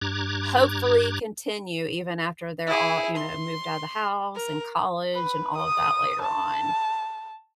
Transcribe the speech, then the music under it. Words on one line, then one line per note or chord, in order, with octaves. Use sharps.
hopefully continue even after they're all, you know, moved out of the house and college and all of that later on.
G2 A#5 D6 F#6 G#6
E4 G#4
C6
A#4
B4
D#6
A5